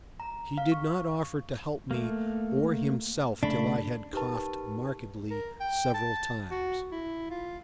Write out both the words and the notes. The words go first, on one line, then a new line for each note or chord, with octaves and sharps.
He did not offer to help me or himself till I had coughed markedly several times.
A#5
F5
C#6
A3 A#3
C#3 A3 D4 B5
D#4 G4 A#4 B4 A5
A#4
G5
A5
F#4
E4
F4